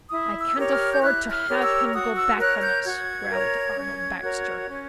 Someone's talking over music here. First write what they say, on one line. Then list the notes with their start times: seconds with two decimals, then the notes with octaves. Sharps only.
"I can't afford to have him go back on us," growled Arnold Baxter.
0.10 E4 D#6
0.41 E6
0.56 G4 A#4 C#5
0.71 F6
0.93 G6
1.01 E4 F#6
1.32 F6
1.48 G4 A#4 C#5
1.62 E6
1.93 F#4 D#6
2.16 E6
2.39 A#4 C#5 F#6
2.62 G6
2.85 F#4 G#6
3.30 A#4 C#5
3.77 C#4
4.22 F#4 A#4 C#5
4.68 C#4